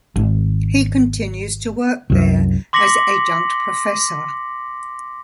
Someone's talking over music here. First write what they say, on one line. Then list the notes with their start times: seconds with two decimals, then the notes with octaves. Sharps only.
He continues to work there as Adjunct Professor.
0.16 G#1
2.10 C2 F#2
2.73 C6 D6 A#6 B6 C#7 F#7